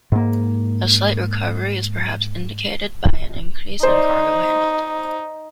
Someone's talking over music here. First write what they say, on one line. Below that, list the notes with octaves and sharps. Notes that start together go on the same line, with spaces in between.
A slight recovery is perhaps indicated by an increase in cargo handled.
G#2 A#3
D#4 C5 D5